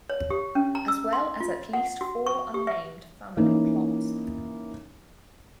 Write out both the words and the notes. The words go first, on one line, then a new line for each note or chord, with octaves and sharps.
As well as at least four unnamed family plots.
C#5
G4
C#4
A#5
E6
C6
F4
F#5
F#4
C#6
G4
E5
E3 A#3 C#4 D#4